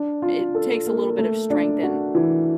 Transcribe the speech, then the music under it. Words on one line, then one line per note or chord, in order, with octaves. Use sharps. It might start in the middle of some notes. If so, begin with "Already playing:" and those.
it takes a little bit of strength and
Already playing: D4
F4
A4
A#3
A3
D4
F#4
E3